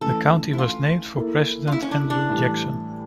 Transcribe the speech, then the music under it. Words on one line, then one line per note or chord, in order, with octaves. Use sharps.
The county was named for President Andrew Jackson.
E3 A3 C#4 A4
E4
F4
A#3 E4 A4
F4
E4
C#4
D4
D4
A2 E3 G3